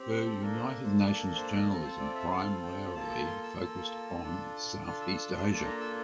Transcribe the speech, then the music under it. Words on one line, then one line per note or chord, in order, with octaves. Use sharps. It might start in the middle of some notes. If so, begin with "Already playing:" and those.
Her United Nations journalism primarily focused on Southeast Asia.
Already playing: C4 G4
C5
A4
A#3 D4 A4 A#4
C5
A#4
C5
A#3 D4 A4 D5
A#4
C5
A#4
C4 F4 A4 A#4
C5
D5
E5
C4 F4 A4 F5
G5
A#3 F4 A4 A5
A5
C6
E6
A#3 F4 A4
D4 F4 A4
D4 F4 A4 F6
E6
E6
C6
A#3 D4 F4 A4 A5
A#5
E6